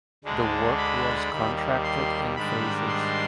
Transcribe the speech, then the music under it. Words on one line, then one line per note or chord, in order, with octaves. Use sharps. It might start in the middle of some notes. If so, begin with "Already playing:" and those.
The work was contracted in phases.
D2 D3 G#3 D4
B5
D#2 D#3 G3
C6
G#2 D#3 G3 D4 B5
C6